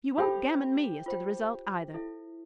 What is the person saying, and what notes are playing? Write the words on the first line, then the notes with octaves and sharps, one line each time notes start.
You won't gammon me as to the result, either.
G4 A4 C5 E5 G5 B5
F4 C5 G5
E4 A4 E5